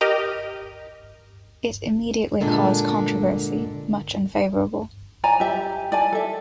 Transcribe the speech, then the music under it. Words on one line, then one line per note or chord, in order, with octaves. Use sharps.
It immediately caused controversy, much unfavorable.
G4 A#4 D#5 A#5
A#2 D3 G#3 D4
D5 G#5 A#5
G4 E5
D5 G#5 A5
A4 E5